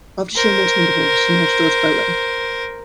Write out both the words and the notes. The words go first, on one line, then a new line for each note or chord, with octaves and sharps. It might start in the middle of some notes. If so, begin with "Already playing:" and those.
After she and Waterman divorced, she married George Bowling.
A#4 C5